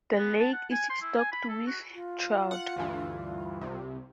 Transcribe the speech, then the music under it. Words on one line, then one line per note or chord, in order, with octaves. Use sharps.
The lake is stocked with trout.
B3
A5
F#5
G#5
C6
E4
G#5
B5
A4
F#4
F4
F#5
D2 G2 E3
C2 C3